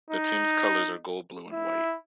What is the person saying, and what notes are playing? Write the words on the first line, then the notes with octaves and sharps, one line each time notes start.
The team's colors are gold, blue and white.
D#4
E4